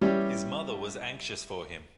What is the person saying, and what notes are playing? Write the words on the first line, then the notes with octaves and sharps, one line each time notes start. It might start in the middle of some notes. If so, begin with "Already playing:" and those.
His mother was anxious for him.
E3 G3 C#4 E4 G4